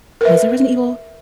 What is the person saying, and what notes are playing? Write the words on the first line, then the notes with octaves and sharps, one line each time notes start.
was it Resident Evil?
A#4 B4 E5